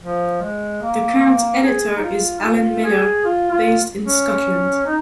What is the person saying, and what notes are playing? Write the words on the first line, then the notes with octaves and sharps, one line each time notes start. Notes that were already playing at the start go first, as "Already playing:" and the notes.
The current editor is Alan Millar, based in Scotland.
F3
G#3
A#3
G#4
D#4
F4
D#4
F4
G#4
F4
F4
C#4
D#4